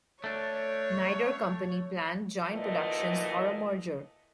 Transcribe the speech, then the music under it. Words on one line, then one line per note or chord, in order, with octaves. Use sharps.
Neither company planned joint productions or a merger.
A3 D4 C#5
D2 A#2 E3 A3 D#5